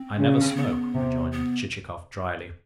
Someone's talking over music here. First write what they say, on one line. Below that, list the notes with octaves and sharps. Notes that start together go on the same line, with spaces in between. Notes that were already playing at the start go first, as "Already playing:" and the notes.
"I never smoke," rejoined Chichikov drily.
Already playing: C4
C#3
C#4
C4
B3
C3
B3